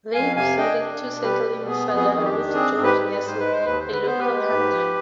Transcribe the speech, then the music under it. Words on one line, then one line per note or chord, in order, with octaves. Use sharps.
They decided to settle in Sagara with George Nestle, a local hunter.
F2 F5 G#5
C3 F5 G#5
D4 D#5 G5
D4
B2
G3 G4 B4
B2
B3 G#4
F2
G#4
D#3
G4
D4
C4 G#4
G#2
G4 B4
G3
B4
G#2
C5
G#3 B4
C5
D#2 B4
C5
D3
B4
B3 C5
G4 B4
G#3
G#2
F3